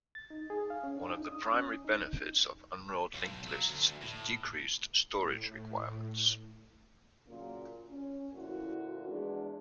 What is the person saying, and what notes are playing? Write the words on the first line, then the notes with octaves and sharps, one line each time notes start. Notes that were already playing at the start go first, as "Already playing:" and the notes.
One of the primary benefits of unrolled linked lists is decreased storage requirements.
A6
D#4
G#4
F5
C#4
D4
D#4
D#6
C#4
D#4
B1
F#3
D2
A2
A2
A#2 C#3 F#3 A#3
C#4
D2 A#2 F3 E4 F#4 A#4
E2 G#3 D4